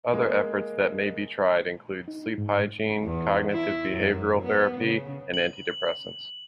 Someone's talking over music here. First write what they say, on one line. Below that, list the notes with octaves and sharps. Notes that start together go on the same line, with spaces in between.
Other efforts that may be tried include sleep hygiene, cognitive behavioral therapy, and antidepressants.
G#3 A#3
D#4
G#2
E2
E4
F#2
B3
C#3
F#7